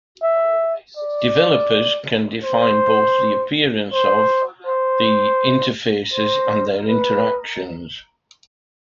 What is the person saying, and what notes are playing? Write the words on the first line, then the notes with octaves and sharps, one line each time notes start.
Developers can define both the appearance of the interfaces and their interactions.
E5
D5
C5
C5
C5
C5
B4